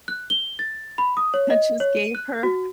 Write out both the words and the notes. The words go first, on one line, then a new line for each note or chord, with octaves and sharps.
and just gave her
F#6
G7
A6
B5
D#6
C#5
D#5
C#5
D#7
F#6
F#4